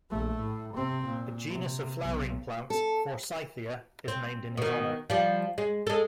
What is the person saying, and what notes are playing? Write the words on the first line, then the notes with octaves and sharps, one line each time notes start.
A genus of flowering plants, "Forsythia", is named in his honor.
A#1 A3
A2
C3 C4
A#2
C3
B1
A4
C4
B2 D#3
F3 G3
G#3
G#3 A4